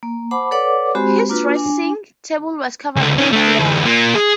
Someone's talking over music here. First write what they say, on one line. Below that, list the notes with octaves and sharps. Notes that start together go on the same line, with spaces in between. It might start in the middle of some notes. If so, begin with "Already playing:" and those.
His dressing-table was covered with blacks.
A#3
C5 F#5 A5 B5 D6
A4 B4 C#5 D5 F#5 D6
G#3 C4 F#4 G4 C5 B5
A#3 D4 F4 F#4 B4
D4 G#5
C#2 D3
D#3 C#4
A3 D4
D2 E3
A#3 F4
G#4